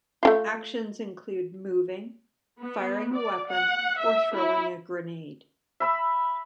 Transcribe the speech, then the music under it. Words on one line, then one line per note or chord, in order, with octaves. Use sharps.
Actions include moving, firing a weapon or throwing a grenade.
A3 E4 F4
B3
D5
F#5
E5
E4
E5 B5 E6